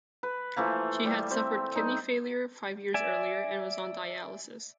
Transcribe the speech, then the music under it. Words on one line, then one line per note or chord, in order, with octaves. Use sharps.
She had suffered kidney failure five years earlier and was on dialysis.
B4
E3 F3 A3 A#3
G3
A3 C4 E5
G3 D#4
D5 E5 G#5